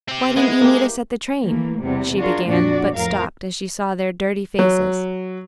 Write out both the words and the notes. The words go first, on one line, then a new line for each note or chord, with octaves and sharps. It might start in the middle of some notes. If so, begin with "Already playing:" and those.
"Why didn't you meet us at the train?" she began, but stopped as she saw their dirty faces.
C4 G4
G#3 B3 E4 G#4
A#3 G4
E3 A3 A#3
E2 C3 G3 B3
D4 F4 F#4 G#4 A#4
F2 A#2 D4 F#4 D5
F2 A2 F#3 A#4 F5
F#3